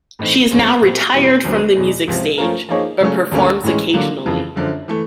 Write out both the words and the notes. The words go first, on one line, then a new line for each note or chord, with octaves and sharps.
She is now retired from the music stage but performs occasionally.
A2 E3 A3 C4 D#4
G#2 F3 A3 C#4
A#2 G3 C4
E2 B2 G3 C4 E4
D2 D3 F#3 B3 D4
E2 B2 G#3
C#2 C3 F3
F3 A3 C#4 F4 A#4
F3 A#3 D#4 G#4 C#5
C#3 F#3 A3 C#4
D2 D3 G3 A#3 C#4
A2 E3 G#3 C#4
D3 F#3 A#3
F2 C#3 E3
F#2 D3 F3
E3 A3